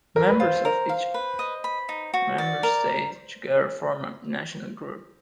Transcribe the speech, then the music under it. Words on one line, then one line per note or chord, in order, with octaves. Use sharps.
Members of each member state together form a "national group".
A#4
B4
F4 C5
A#4
F5
B4
D#5
B5
D#4
F#4
D5
A#4